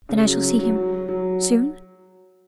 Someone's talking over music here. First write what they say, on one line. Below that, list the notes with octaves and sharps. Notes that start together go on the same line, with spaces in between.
"Then I shall see him ... soon?"
C#3
F#3
F#3
F#3
F#3
F#3
F#3